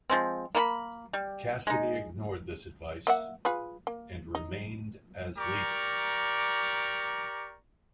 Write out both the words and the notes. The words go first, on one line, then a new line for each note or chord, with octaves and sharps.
Cassidy ignored this advice, and remained as leader.
F3 G#3 C4
A#3 E4 B5
G3
G#3 D#4
A#3 E5 F#5
F4 G#4 B4
A#3
D#4
G4 A#4 D5 A#5 C#6